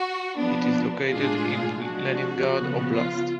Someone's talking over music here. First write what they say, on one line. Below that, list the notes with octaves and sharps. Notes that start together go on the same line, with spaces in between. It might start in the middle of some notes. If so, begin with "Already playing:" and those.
It is located in Leningrad Oblast.
Already playing: F#4
F3 B3 D4
A2 G#3 D4 F4 G#4
F3 G#3 D4 F#4
C#3 F3 B3
F4